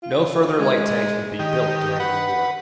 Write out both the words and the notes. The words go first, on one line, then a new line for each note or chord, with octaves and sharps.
No further light tanks would be built during the war.
F4
G#3
D#3 G4 D#5
B4 F#5